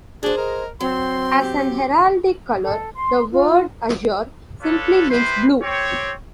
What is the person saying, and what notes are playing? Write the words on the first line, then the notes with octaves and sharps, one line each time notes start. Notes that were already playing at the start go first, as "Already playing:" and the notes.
As an heraldic colour, the word "azure" simply means "blue".
D4 F#4 G#4 C5
A#4 D#5
F#3 C4 C6
G4
A4
C6
F4
D4 F4 A4 B4 C#5
G3 E4 B4 C5 C6
C4 G4 C#5